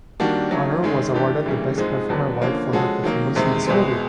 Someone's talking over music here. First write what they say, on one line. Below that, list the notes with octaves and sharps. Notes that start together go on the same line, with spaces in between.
Aunor was awarded the Best Performer award for her performance in this movie.
D#3 G3 A#3 D4 F#4
D#3 F#3 A3 C#4
F#2 D#3 G#3 C#4
G2 E3 A3 D4 G4
D2 C#3 E3 G3 A#3
G#2 F3 G#3 C4 D#4
D#2 D3 F#3 B3 D4
D3 F3 A#3 C#4
F3 G#3 C#4 F#4 A4
D#3 F#3 A#3
E2 C3 D#3 G#3 C4
C2 B2 G#3 C4